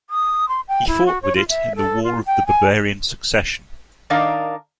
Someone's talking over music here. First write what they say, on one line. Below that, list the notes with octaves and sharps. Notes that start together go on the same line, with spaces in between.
He fought with it in the War of the Bavarian Succession.
D#6
C6
G5
E4
F#4
C#5
F4
E5
A4
F4
G5
G#5
D#3 D4 D#4 A#4 D5 F5